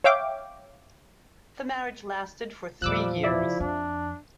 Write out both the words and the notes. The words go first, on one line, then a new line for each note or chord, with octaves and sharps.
The marriage lasted for three years.
C#5 E5 F5 G5 D6
E2 A#2 F3 G3 D6 E6 F#6
E4 D5 E5
F2 D4